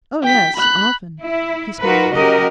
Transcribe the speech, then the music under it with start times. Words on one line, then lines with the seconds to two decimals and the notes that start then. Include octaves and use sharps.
'Oh yes, often.' He smiled.
0.22 G5 B6
0.56 B5 F#6
1.22 E4
1.81 D#4 F4 F#4 A#4 B4
2.13 C#3 F#3 F#4 G4 A#4 D#5